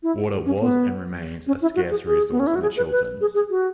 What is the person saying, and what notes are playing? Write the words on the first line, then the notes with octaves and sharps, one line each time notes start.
Water was and remains a scarce resource in the Chilterns.
E4
C#4
B3
C#4
E4
F#4
G#4
G#4
B3
C#4
E4
F#4
G#4
B4
B4
G#4
G#4
F#4